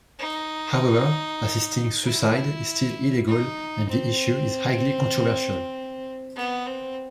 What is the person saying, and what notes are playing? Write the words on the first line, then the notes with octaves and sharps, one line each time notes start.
However, assisting suicide is still illegal and the issue is highly controversial.
D#4
E4
D#4
C4
B3
C4